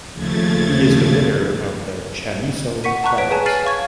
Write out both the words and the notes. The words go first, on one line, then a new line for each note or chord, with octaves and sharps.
He is the winner of the Chamisso Prize.
D#2 C#3 F3 A3 G#6 A6
F#5 C#6 B6 D#7
F#5 A5 A#5 C#6 F#6
B4 C#5 B6 D7
G#4 B4 C#5 G#5 A5
F6 A6 C7 D#7 F#7
F5 C#6 G#6